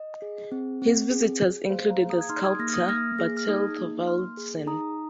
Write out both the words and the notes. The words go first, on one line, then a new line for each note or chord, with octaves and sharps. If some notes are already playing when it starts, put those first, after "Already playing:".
His visitors included the sculptor Bertel Thorvaldsen.
Already playing: D#5
G#4
C4
C4
G#4
G#4
A#3 C5 F5
F5 A#5
G#4
A#5 D#6
G#6
D#4 C6 F6
D#6 G#6
A#3 F6 A#6
F6
D#6 G#6
A#3 F6 A#6
G#4 A#6
F6 A#6
D#4 D#6 G#6
A#3
A#3 C6 F6
G#4
D#4 A#5 D#6